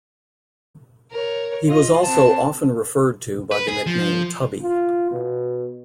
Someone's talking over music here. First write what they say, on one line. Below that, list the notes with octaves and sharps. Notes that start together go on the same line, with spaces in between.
He was also often referred to by the nickname "Tubby".
A#4 C#5
F4 D#5
C4 A5
B4
G#4
F3
F4
B2